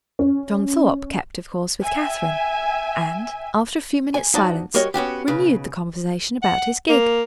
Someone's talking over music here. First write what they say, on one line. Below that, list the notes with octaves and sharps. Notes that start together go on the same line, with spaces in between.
John Thorpe kept of course with Catherine, and, after a few minutes' silence, renewed the conversation about his gig.
C#4
E5 G5 G#5
G#5
F3 D#4 F#4 D5 A5
G3 F#4 A#4 C#5 D#5
B3 C#4 F#4 G4
B1 C#3 B4
F#5
A#3